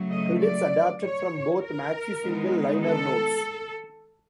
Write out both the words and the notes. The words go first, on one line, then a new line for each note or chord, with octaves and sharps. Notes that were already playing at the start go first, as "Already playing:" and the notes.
Credits adapted from both maxi-single liner notes.
Already playing: C#3 F#3 A3
D#5
D5
C#5
A#4
D#3 G#3 B3 D#4
A4